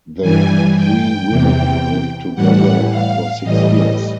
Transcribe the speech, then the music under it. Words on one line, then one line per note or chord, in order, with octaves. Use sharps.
The three women lived together for six years.
G2 E3 G3 G#5
G5
E2 C3 E3
A2 E3 G3 F#5
F5
A2 E3 G3 D#5